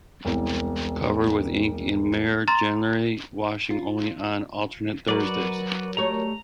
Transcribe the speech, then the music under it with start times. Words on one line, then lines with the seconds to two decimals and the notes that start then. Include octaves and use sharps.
Covered with ink and mire generally, washing only on alternate Thursdays.
0.25 E1 C2
2.48 A#5 C6 A6
3.71 F4
5.08 F#3 F#4 A#4 B4 D5
5.97 G3 A3 C#5 A#5